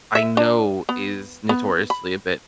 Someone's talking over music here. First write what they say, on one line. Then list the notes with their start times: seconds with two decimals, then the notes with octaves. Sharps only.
I know is notoriously a bit
0.15 E5
0.37 D4
0.89 B3
1.49 B3
1.90 B5